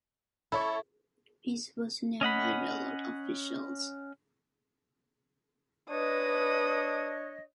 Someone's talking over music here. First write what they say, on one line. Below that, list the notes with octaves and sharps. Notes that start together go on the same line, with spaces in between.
Pease was named by railroad officials.
E4 A4 C#5 B5 C#6
C#4 D#5 F#5 B5
D4 B4 C#5 D#5 D#6